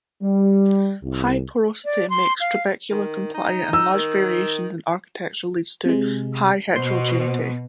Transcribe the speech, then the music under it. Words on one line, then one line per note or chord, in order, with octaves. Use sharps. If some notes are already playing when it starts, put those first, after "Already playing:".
High porosity makes trabecular compliant and large variations in architecture leads to high heterogeneity.
G3
C2
D5
C6
F5
D#3
D#4
E6
D#3
C3 G#3
B2 C5 C6